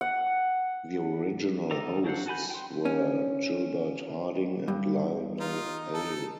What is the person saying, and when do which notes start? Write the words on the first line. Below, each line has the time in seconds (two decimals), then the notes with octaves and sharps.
The original hosts were Gilbert Harding and Lionel Hale.
0.01 F#5
1.71 D#4 A4 A#4 D5 A#5
2.04 F#3 D4 C5 F5 F#5
2.26 F#4 A4 G#5 B5 G6
2.50 G5 C6
2.85 C#4
4.68 G2
5.40 D#4 F4
5.94 A4